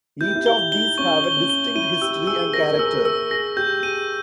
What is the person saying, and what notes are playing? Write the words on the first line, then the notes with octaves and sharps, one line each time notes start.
Each of these have a distinct history and character.
E4 G6
G4
E4
G4 G7
D#4 G7
C#4 C#6
G7
C#4
G7
E4 D#7
G4 E6
G#4 E6
A#4 A#6
A#4
G#4 E6
A#4 E6
G#4 A#6
G4 G6
G#4 D#7